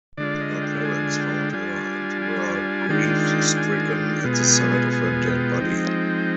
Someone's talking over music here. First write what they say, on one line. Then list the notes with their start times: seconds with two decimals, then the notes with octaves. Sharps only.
Her parents found her and were grief-stricken at the sight of her dead body.
0.17 D3 G#3 D4 F4 D5
0.41 D#5
0.62 G5
0.85 G#5
1.19 G5
1.53 G3 D4 F4 G#5
2.22 G#5
2.55 G#5
2.89 D#3 G#3 D4 F4 G5
3.57 G#5
3.91 G5
4.24 B2 G#3 B3 F4
4.34 G#5
4.43 G5
4.53 G#5
4.93 G#5
5.26 G5
5.60 F3 G#3 C4 D#4